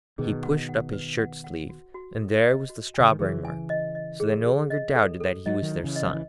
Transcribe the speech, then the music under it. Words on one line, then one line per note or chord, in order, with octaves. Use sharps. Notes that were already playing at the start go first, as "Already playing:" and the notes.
He pushed up his shirt sleeve, and there was the strawberry mark; so they no longer doubted that he was their son.
B2 D#3 G#4
F#5
F#5
B4
F#5
F#5
F#4
F#4
A4
D#5
F#4
G#5
C#3
D#3
C#3 E3 G#4
G#5
D#5
D#5
G#4
G#4
D#5
A4
A4
F#3 D#5
D#3 F#3
E4
C#3 E3
D#5
F#3
E3